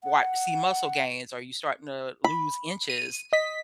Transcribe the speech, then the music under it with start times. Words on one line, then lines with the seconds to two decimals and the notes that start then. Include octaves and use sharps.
wat see muscle gains? Are you starting to lose inches?"
0.04 F#5
2.24 B5
2.90 D#7
3.33 D#5 B6